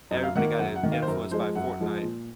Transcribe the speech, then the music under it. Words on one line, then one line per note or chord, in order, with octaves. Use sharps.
everybody got, in influenced by Fortnite
F#2 D#5
F5
D#3 A#3 F#5
F#2 F#5
F#5
D#3 A#3
F5
C5
F#2 A#4
F3 G#3 C5
F#2 F#5
F3 G#3
A#2